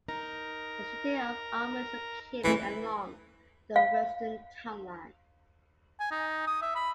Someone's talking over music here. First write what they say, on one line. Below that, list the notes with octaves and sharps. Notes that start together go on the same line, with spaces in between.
The city of Alma is located along the western town line.
D#4 A#4
E3 A3 C4 C#4 B5
F5
G#5
D#4
D#6
E5
B5